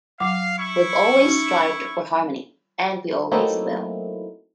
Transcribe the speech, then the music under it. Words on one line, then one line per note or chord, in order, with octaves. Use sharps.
We've always strived for harmony, and we always will.
F#3 F5 F#5 D6
E4 C#6
C#4 D#4 F#4
F#3 A3 A#3 C4 D#4 E4